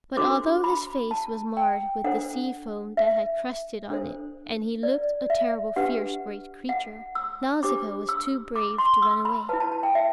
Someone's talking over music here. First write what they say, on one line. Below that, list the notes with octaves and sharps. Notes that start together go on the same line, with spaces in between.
But although his face was marred with the sea-foam that had crusted on it, and he looked a terrible, fierce, great creature, Nausicaa was too brave to run away.
D4 F#4 A4 C5 D6
B5
A5
G5
D4 A4 C5 F#5
E5
D4 A4 C5
D5
E5
D4 G4 B4 F#5
F#5
E6
D4 G4 C5 D6
E6
D6
C6
E6
B5
E4 B4 A5
A5
A5
G5
E5